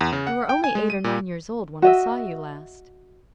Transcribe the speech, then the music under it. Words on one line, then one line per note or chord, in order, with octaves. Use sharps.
"You were only eight or nine years old when I saw you last."
E2
C#3
F#5
G5
G#5
G#3
D#7
A#2
F#4 D#5 E5